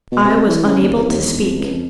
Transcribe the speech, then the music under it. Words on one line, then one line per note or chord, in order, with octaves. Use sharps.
I was unable to speak.
B2
C3
E3
C#3
D#2
C2
D#2
E1
F2
C#2
F2